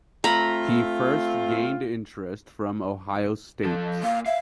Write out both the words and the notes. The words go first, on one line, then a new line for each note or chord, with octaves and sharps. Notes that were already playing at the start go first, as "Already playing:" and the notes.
He first gained interest from Ohio State.
A3 C4 F4 A#5 B5
F3 A4
A#2 F5
E5 F5